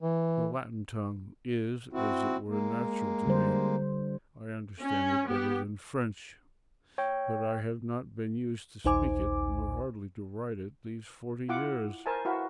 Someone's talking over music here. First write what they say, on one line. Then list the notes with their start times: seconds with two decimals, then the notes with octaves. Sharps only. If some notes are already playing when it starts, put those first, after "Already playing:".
The Latin tongue is as it were natural to me; I understand it better than French; but I have not been used to speak it, nor hardly to write it, these forty years.
0.01 E3
1.93 C4 E4 F#4
2.48 G#3 A#3
3.26 D3 G3 C5
4.82 C#4
5.29 B3 G4
6.98 C#5 G5
8.85 A#1 D#2 D#4 C5 G#5 D6
11.49 E4 F4 F#5 D6
12.06 A#4 C5 E5 G#5 A5
12.25 E4 F#4 B4 E5 F5